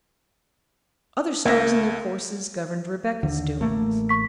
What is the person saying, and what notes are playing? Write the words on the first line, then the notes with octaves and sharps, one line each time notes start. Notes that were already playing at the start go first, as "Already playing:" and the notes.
Other stars in their courses governed Rebecca's doings.
C#2 A#3 E5 A#6
D#2 D3
A1 A3 A#3
C#6 B6